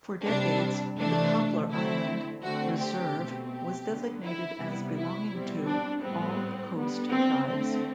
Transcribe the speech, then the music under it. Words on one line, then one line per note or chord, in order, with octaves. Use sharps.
For decades, the Poplar Island reserve was designated as belonging to "all coast tribes".
C3 G3 C4 D4
C3 E3 A3 D4
D3 A3 C4 E4
D3 A3 C4 F#4
G4
B2 A3 C4
G4
D3 F#3 B3
E4
C3 G3 B3
E4
B2 G3 C4
D4
A2 G3 B3 C4
D3 G3 B3
C4
D3 A3 C4